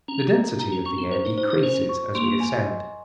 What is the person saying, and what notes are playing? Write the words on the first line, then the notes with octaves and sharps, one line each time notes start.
The density of the air decreases as we ascend.
C#4 A#5
A#5
D#4 A#5
C#4
C#4 C#6
C4
C#4 C5
D#4
D#4 C5
D#4
C#4 C5
C#6
A#3 C6
G#5
D#5